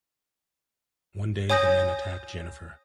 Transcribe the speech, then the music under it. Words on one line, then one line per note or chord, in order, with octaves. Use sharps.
One day, the men attack Jennifer.
C#5 G#5 D#6 G6 A#6